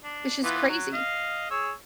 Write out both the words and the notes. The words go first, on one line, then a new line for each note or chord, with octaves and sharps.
Which is crazy.
D4
E3 B3 F4
F#3
D#5 F5
G#4 C#5 E6